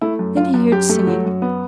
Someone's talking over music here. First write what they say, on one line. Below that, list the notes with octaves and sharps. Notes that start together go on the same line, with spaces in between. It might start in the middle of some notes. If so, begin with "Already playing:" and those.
Then he heard singing.
A3 E4
F#2
F#2 F4
F#2
F#2 G4
A3
F#3
F#2
B3